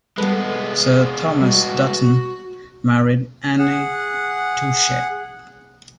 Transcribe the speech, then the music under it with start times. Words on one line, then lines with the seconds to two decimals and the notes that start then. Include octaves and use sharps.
Sir Thomas Dutton married Anne Touchet.
0.18 G3 G#3 B3 A4 B4
1.41 G3 F#4
3.59 G#4 F#5